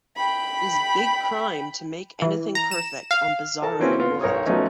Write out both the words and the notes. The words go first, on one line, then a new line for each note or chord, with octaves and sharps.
Is big crime to make anything perfect on Bizarro World!
G5 B5
E3
A#5
E7
F5
A4 A#4 A5
E3 A#3 C4 C#4 F#4 B4
B3 F4 F5
B1 A#4 C#5 D#6
F3 F#3 A3 B3 C#4 D#4